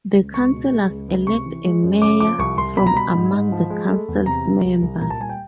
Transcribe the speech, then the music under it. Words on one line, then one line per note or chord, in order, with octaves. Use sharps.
The councillors elect a mayor from among the council's members.
C#2
C#2 C#6
B2
G#3
C#2
C#2
C3 C#6
E3
G#3
F#2
C#3 D6
F3 D6
C2 C#6
C2 C6
B2 B5
A#5
G3 B5
G#2
G#2
F3
G#3
A3
E2
C3 A#5
F3
C2
C2
A#2 A#5
A5
G3 G#5
G5